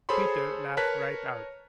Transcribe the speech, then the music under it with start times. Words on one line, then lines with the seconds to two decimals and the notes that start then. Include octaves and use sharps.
Peter laughed right out.
0.09 G#4 A4 C5 C#5 B5 C6
0.77 A#4 B4 C#5 A5 F#6 B6